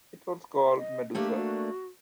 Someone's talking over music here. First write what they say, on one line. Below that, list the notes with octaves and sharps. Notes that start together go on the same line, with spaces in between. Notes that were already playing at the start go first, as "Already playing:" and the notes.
It was called Medusa.
E5
D#5
A3 A#3 D4 G4
F#4